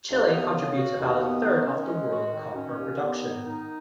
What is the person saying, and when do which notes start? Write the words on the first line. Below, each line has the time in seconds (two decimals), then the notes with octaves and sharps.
Chile contributes about a third of the world copper production.
0.09 D#2
0.32 B3
0.54 C#3
0.76 F#4
0.98 D#2
1.21 B3
1.43 D#3
1.65 C#4
1.87 G#3
2.10 F#4
2.32 D#3
2.55 C#4
2.77 D#2
3.00 B3
3.22 D#3
3.45 D#4